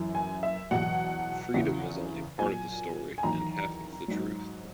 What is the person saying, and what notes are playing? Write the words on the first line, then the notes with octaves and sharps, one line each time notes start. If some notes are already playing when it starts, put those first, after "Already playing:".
Freedom is only part of the story and half of the truth.
Already playing: F#2 E3
G#5
E5
E2 B2 F#3 F#5
E2 C#3 E3
A#2 F#3 G#5
G#5
E2 D#3 F#3 A#5
G#2 F#3